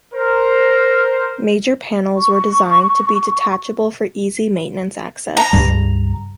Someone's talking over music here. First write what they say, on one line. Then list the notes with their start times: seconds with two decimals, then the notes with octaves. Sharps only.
Major panels were designed to be detachable for easy maintenance access.
0.14 A#4 C5
2.16 C#6
5.37 A#5
5.53 C#2 G2 G3